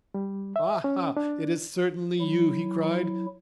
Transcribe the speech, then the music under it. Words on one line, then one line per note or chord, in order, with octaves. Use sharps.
"Ah, it is certainly you!" he cried.
G3
E5
C#4
D4
F#3 E4